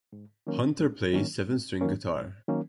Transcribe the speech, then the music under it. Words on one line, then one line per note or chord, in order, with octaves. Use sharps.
Hunter plays seven-string guitar.
G#2
D#3 F#3 A#3 C#4
G#2
D#3 F#3 A#3 C#4
G#2
D#3 F#3 A#3 C#4
G#2
D#3 F#3 A#3 C#4